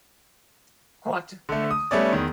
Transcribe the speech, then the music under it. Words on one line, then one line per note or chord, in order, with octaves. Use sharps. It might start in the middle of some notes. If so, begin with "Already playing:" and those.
Huot et.
D3 A3
D#6
G3 A3 B3 C#4 D5
E2 D#3